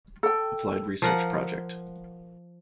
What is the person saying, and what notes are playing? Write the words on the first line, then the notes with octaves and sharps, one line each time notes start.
Applied Research Project.
A4 G5
F3 A#4 F#5